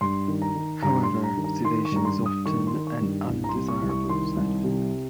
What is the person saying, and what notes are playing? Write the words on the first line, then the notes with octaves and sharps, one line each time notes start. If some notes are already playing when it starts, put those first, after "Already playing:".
However, sedation is often an undesirable side effect.
G2 C6
D#3
A#5
D#3
G2 A#5
C6
G2
A#5
D#3
A#5
D#3 C6
C#6
G2 A#5
C6
G2
D#6
D#3 C#6
C6
D#3
C#6
G2
C2
A#5
C6
C3
C#6
C2
C#6
D#3 C6
C2
C3